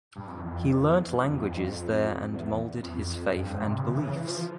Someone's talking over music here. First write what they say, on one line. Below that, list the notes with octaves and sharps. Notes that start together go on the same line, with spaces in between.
He learnt languages there and molded his faith and beliefs.
G2
F2
E2
F2
E2
G2
F2
E2
F2
E2
F2
E2
F2
G2
F2
G2
G#2
C3
C#3
E3
C#3
E3
F3